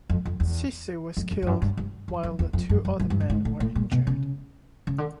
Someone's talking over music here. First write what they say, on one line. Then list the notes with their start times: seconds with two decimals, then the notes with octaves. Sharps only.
Cisse was killed while the two other men were injured.
0.10 F2
0.25 F2
0.40 E2
1.17 F2
1.31 F#2
1.42 F2
1.47 F#2
1.62 G2
1.77 G2
2.08 F2
2.23 F2
2.39 E2
2.53 F2
2.69 F#2
2.85 F#2
3.00 F#2
3.10 G2
3.20 G2
3.30 G#2
3.45 A2
3.60 A2
3.75 A#2
3.92 B2
4.07 C#3
4.87 C#3
4.98 D3